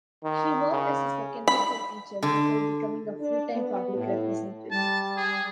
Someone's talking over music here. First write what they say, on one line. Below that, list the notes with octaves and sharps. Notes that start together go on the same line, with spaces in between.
He worked as a secondary school teacher before becoming a full-time public representative.
D#3
C#3
B5
D3
D4
B3
A2
G3 A5
G#4